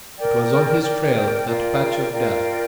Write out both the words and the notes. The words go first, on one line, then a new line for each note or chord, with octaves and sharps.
It was on his trail, that patch of death.
A#4 D5 G5
A#4 D5 G5
F4 A#4 D5 G5
F4 A#4 D5 G5